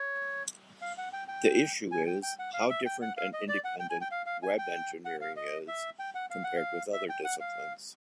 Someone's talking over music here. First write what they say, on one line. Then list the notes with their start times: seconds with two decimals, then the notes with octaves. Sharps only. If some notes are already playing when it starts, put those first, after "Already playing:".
The issue is how different and independent Web engineering is, compared with other disciplines.
Already playing: C#5
0.82 F5
0.98 F#5
1.13 G5
1.28 G5
1.92 G#5
2.07 G5
2.23 G5
2.39 F#5
2.54 F5
2.70 E5
2.86 G5
3.02 F#5
3.17 F5
3.33 D#5
3.48 D5
3.64 F#5
3.80 G5
3.90 G#5
4.01 G5
4.11 F5
4.26 F5
4.43 G#5
4.58 G5
5.05 F#5
5.21 F5
5.36 D#5
5.68 E5
5.99 G5
6.15 F#5
6.30 F5
6.44 F#5
6.56 F5
6.93 E5
7.09 G5
7.24 F#5
7.40 F5